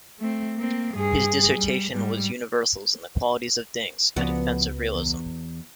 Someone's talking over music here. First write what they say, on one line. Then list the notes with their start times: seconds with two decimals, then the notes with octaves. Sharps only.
His dissertation was Universals and the Qualities of Things: A defense of Realism.
0.20 A3 C4
0.56 A#3 C4
0.94 G2 G#4
1.56 G3
1.92 G#2 G3
4.16 C#2 F3 B3 F#4 D5
4.95 E2